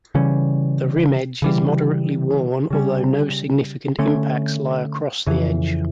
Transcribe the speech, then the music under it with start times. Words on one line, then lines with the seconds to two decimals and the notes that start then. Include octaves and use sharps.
The rim edge is moderately worn, although no significant impacts lie across the edge.
0.15 C#3 E3 G3 C#4
1.42 C#3 E3 G3
2.70 C#3 G3 C#4
3.99 D3 A3 C#4
5.26 F2 C#3 E3